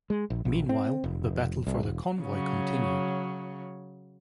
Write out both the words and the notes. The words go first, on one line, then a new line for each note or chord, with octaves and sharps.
Meanwhile, the battle for the convoy continued.
G#3
A#1
A#1
C4
F1
C2
E1
C#3 F#3